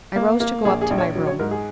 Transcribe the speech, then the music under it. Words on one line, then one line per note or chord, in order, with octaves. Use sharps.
I rose to go up to my room.
A#3
A#3
A#1 G#4
G#4
A#1
C#5
F#3
C#5
G#2 A#4
G#4